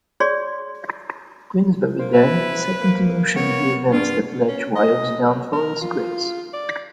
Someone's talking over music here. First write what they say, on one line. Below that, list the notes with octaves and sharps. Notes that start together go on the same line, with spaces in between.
Queensberry then set into motion the events that led to Wilde's downfall and disgrace.
G#4 C#5 D5 C6
A#3 C5
E4 B4
A#3
B3 C#5
G2 F4 G#4 D5
C#4
D#5
F#3
A#4
F4
D5